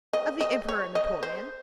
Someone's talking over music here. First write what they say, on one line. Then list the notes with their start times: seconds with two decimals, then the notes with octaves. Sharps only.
Of the Emperor Napoleon?
0.13 D#5
0.41 D#5
0.69 C#5
0.95 D#5
1.23 C5